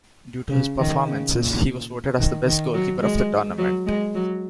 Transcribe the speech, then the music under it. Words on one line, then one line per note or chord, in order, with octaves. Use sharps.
Due to his performances, he was voted as the Best Goalkeeper of the Tournament.
C#3
D#3
C#3
A#2
D#3
D#3
F#3
G#3
F#3
G#3
F#3